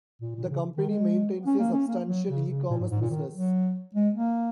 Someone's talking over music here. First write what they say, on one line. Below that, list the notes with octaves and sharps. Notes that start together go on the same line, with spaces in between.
The company maintains a substantial eCommerce business.
A#2
A#2
D#3
C#3
D#3
G#3
C#4
A#3
C#4
A#3
F#3
C#3
C#3
A#2
G#2
G#2
A#2
D#3
F#3
G#3
A#3